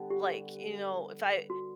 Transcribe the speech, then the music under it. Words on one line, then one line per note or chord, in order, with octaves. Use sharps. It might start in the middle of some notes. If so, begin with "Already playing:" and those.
Like, you know, if I
Already playing: D3 G3 B3
G4
F#4